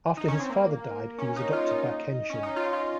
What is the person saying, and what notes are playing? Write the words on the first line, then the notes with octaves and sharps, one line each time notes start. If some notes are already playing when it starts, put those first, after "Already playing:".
After his father died, he was adopted by Kenshin.
D#4
C#4
C4
A#3
C#4
D#4
F4
D#4
C#4
D#4
F4
F4